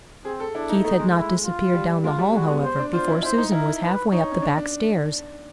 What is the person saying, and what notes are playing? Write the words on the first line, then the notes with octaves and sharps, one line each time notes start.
Keith had not disappeared down the hall, however, before Susan was halfway up the back stairs.
C4 G#4
A4
D4 E4
D#4
A3 D#4
G#3
E4
F4
G3
G#3 F4
G3
G#3 F#4
B3
C5
D4
F4 C5
E4
E4 C5
D#4
E4 A#4
B4
D#4 C#5
C#4
D4
D4